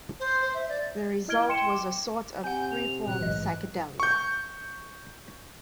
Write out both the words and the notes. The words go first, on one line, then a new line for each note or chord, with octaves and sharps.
The result was a sort of freeform psychedelia.
C5
C5
E5
D5
E4 D#5 F6 G#6 D7 G7
G5 C6 C#7 D7 E7
D6
C3 F#5 G#5 G6
F7
A#2 C#3 F#3 F#6
A1 G#2 E3 D#5
C#6 G6